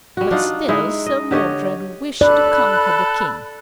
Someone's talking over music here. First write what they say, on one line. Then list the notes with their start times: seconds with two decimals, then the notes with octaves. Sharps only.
But still Sir Modred wished to conquer the King.
0.17 G3 F#4
0.31 D4 D#4 F4 F#5
0.68 G#3 D#4 E4
1.06 D#5
1.31 D3 G4 C#5 D#5
2.21 A4 D5 B5 F#6